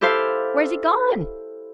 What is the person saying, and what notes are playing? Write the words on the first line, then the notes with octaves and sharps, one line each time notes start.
Where's he gone?
E4 G4 A4 C5 F5